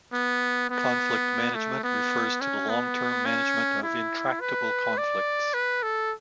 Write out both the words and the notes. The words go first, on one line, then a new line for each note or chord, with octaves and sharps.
Conflict management refers to the long-term management of intractable conflicts.
B3
B3
A3
B3
C#4
B3
C#4
E4
B4
D5
B4
A4